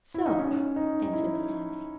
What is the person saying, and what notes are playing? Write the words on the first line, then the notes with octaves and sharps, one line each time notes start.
"So," answered the abbe.
E4
D#4
C#4
D#4
D#4
E4